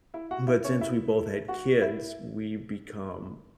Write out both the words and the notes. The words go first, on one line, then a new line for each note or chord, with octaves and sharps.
But since we both had kids, we’ve become
E4 E5
F#4 F#5
E4 E5
C#4 C#5
E4 E5
F#4 F#5
E4 E5